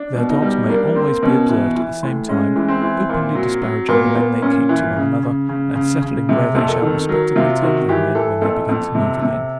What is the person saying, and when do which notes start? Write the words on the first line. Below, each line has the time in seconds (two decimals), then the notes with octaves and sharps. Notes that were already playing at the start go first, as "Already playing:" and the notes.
Their dogs may always be observed at the same time, openly disparaging the men they keep, to one another, and settling where they shall respectively take their men when they begin to move again.
Already playing: D4
0.16 B2
0.30 D#4
0.42 G3
0.69 A#3 D4
0.95 A#3 C4
1.23 B2 C#4
1.49 E3
1.76 E3
2.03 A2
2.28 G#3 C#4
2.56 E3
2.68 C4
2.82 E3
3.09 A#2
3.35 F#3
3.62 F#3
3.89 A#2 B3
4.05 A#3
4.15 A#2 B3
4.42 A#2 C#4
4.69 E3
4.96 C#3
5.23 C#3
5.49 C#3
5.75 C#3
6.02 C#3
6.29 C3 G#4
6.55 F2
6.69 A4
6.82 D#3
7.09 F#3 A#4
7.36 C3 F4
7.62 D#3 F#4
7.89 E3 G4
8.15 E3 A4
8.41 F2 A4
8.69 F2
8.95 C3
9.22 C3